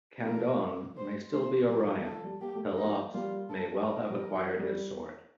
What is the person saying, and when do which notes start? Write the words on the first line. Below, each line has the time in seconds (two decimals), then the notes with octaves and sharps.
Candaon may still be Orion; Pelops may well have acquired his sword.
0.25 F3 A3 A#4
0.97 C5
1.33 F3 A3 C5
1.69 G3 A#4
1.87 G3
2.05 F3 A4
2.24 G3
2.41 A#3 G4
2.55 A3
2.68 G3
2.77 D#4
2.82 F3 A3
3.14 G3 A#3 F4
3.50 A4
3.86 A#4
4.10 G3
4.34 F3
4.59 G3